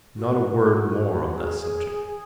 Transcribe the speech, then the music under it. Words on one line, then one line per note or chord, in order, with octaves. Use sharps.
Not a word more on that subject!
F#4
G#4